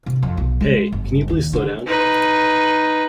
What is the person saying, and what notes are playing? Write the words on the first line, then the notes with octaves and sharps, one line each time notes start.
Hey, can you please slow down?
C3
F2
B1
G#3
G1
D#2
D3
D#4 B4